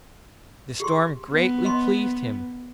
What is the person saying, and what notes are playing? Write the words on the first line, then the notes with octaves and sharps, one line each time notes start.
The storm greatly pleased him.
G4 G#4 C6
B3
B4 D#5 C6